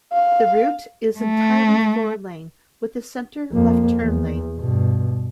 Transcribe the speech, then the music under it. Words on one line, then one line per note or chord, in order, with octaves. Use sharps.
The route is entirely four lane, with a center left-turn lane.
F5
A3
F2 A#3
E2
G2 B2